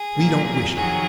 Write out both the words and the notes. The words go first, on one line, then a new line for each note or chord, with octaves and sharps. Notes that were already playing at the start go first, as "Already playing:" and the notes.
We don't wish it.
Already playing: G#4
A#2 F#3 A#3
F2 D#3 F#3 G#4